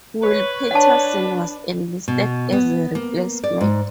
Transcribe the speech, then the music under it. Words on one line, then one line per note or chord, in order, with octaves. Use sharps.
Will Patterson was enlisted as a replacement.
B4 C#5
D4 F#5 A5
B2
B3
A#3
D5
G#2